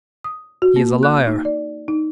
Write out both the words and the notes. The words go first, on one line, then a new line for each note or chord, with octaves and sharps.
He is a liar.
D#6
F#4
A#3
F#6
D#4
D5
D#4